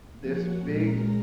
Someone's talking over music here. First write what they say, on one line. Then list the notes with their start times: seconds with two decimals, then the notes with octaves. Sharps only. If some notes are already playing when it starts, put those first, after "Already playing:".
this big
0.18 F3 A#3 C#4 F#4 F#5
0.62 A#2 G#3 C#4 A#4 A#5